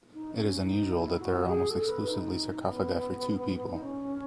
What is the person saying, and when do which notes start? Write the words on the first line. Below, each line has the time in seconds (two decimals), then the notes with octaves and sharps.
It is unusual that there are almost exclusively sarcophagi for two people.
0.13 D#4
0.33 C#4
0.62 D#4
0.91 E4
1.20 F#4
1.41 F#4
1.49 G#4
1.69 A4
1.87 B4
2.07 D#4
2.65 B3
3.72 D#4
3.82 C#4